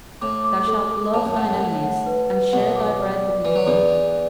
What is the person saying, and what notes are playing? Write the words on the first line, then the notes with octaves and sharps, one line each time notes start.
Thou shalt love thine enemies, and share thy bread with the needy.
A2 D6
D6
A4
A4
A2 A5
F#2
A2 F#5
F#2
A2 F#5
F#5
B4
B4
B1 B2 F#5
D6
D5
D5
E3 B4
F#3
E2 E3 D5
E5